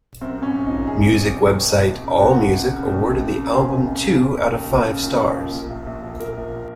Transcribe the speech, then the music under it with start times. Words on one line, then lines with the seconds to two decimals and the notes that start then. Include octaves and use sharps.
Music website AllMusic awarded the album two out of five stars.
0.21 F#2 C4
0.38 G#1 C#4
0.54 G#1
0.66 D#4
0.71 F3
0.87 F#2 G#4
1.05 G#1
1.21 G#1
1.38 F3
1.54 D#2
1.71 F1
1.87 F1
2.04 C#3
2.20 D#2 F#4
2.38 F1
2.53 F1
2.71 C#3
2.86 D#2
3.04 F1
3.20 F1
3.37 C#3
3.53 D#2 G#4
3.70 F1
3.87 F1
4.03 C#3
4.20 C#3
4.37 D#2
4.53 D#2
4.70 F3
4.87 C#3
5.03 D#2
5.19 D#2
5.37 F3
5.54 A#2
5.70 A#1
5.87 A#1
6.03 F3
6.20 A#2 A#4
6.37 A#1